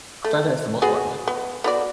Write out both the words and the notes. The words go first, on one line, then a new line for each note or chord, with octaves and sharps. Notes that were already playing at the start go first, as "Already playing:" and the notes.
I think that's the most part of it.
A3
B3 F#4 G#4
B3
B3 F#4 D5